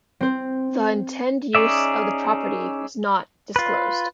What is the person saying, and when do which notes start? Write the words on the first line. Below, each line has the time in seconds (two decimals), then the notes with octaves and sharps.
The intend use of the property was not disclosed.
0.20 C4 C5
1.55 C#4 D#4 G#4 D5 E5
3.56 F4 B4